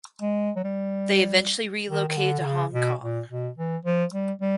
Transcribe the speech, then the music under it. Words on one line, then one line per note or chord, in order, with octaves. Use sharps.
They eventually relocated to Hong Kong.
G#3
F#3
G3
D#3
D#3
D3
D3
C#3
B2
A#2
B2
E3
F3
G3
G3